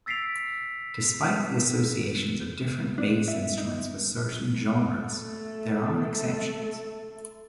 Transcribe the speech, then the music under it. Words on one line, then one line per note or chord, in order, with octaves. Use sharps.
Despite the associations of different bass instruments with certain genres, there are exceptions.
E6 A6 B6 C7 D7 F7
D4
E5
D#4
A3 A4